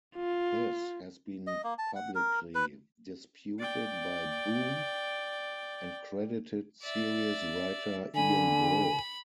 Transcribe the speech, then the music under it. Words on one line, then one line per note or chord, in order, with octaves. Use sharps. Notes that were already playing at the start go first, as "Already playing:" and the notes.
This has been publicly disputed by Boom and credited series writer Ian Brill.
F4
D#5
A#3
A5
F#5
A#4
B4
D5 G5
D5 E5
D3 G#5 B5